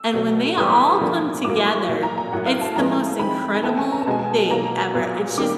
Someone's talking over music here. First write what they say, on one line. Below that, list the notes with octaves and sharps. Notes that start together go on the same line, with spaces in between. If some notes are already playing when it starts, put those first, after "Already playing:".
and when they all come together, it's the most incredible thing ever. It's just
Already playing: E6
B2 F#3 A3
A2 E3 G3 D#6
D3 F3 A#3
A2 F#3 A#3 D6
C#6
A#2 F#3 A#3
A#5
A#5
A2 F#3 A#3 F#5
F5
A5
A2 F3 G#3 B3 A#5
D#3 G#3 C4 B5
E3 A3 C4 A5
G#5
A#5
A5
B2 G#3 B3 G#5
A5
B2 F#3 A#3 A#5
A#2 F#3 B3
D#3 G3 A#3 D6